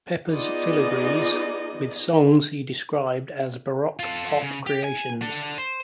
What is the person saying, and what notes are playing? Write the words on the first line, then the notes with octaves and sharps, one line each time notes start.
Pepper"s filigrees", with songs he described as baroque pop creations.
B3 D#4 F4 G#4 D5 D#5
F4 A4
C#3
G4
G#5
D4 A4
C5